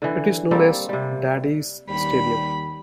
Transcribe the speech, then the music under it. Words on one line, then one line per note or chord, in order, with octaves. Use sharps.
It is known as Daddy's Stadium.
D3 E3
G3 A#3 C4 A4
C3 G3
D#2 G3 B5